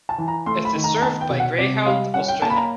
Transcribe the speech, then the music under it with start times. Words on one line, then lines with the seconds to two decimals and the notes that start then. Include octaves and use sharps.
It is served by Greyhound Australia.
0.09 A5
0.18 E3
0.28 A#5
0.46 A3 C6
0.65 B5
0.75 D#3
0.84 A#5
0.97 A#5
1.02 B3 A5
1.21 G5
1.30 B2
1.40 F#5
1.58 C3 D5
1.86 G3 F5
2.14 C#4 F#5
2.28 G5
2.42 A#3 A5
2.50 B5
2.56 A#5